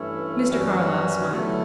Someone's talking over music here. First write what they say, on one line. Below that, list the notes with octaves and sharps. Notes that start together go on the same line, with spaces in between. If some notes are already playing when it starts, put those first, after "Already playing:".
Mr. Carlyle smiled.
Already playing: G2 E3 A3 C#4 E4
F#2 E3 G3 C#4 F#4
B2 F#3 A3 E4